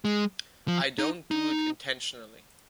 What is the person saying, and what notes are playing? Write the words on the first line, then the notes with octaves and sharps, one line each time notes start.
I don't do it intentionally.
G#3
F3
D#4
D#4